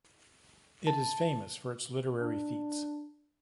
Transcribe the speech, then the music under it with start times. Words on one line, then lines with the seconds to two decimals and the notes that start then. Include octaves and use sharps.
It is famous for its literary feats.
0.87 A5
2.19 D4